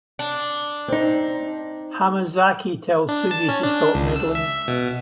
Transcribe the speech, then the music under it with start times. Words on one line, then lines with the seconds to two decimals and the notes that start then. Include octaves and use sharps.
Hamazaki tells Sugi to stop meddling.
0.19 D4
0.88 C4 D#4
3.09 D4
3.31 A5
3.49 C#4
3.63 D4
3.95 C#2
4.16 E6
4.35 E5
4.68 B2